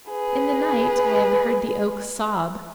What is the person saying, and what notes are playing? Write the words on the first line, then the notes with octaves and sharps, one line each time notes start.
In the night I have heard the oak sob.
G#4 B4